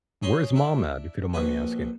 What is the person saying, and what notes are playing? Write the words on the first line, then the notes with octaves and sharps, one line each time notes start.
Where's mom at? If you don't mind me asking.
D#4 C#5 G#5 B5 C6
D4 E4
A#1 F#4 B4 G#5